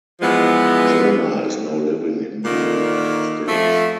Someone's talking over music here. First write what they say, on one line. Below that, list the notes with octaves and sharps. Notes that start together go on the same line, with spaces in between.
Jona is now living in the United States.
E3 F3 G#3 B3
A#2 D3 D#3 A#3
F2 F3 A3